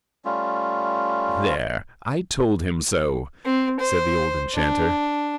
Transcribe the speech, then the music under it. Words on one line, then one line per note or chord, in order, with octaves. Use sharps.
"There, I told him so!" said the old enchanter.
G3 A3 C#4 F4
C4
C5
D4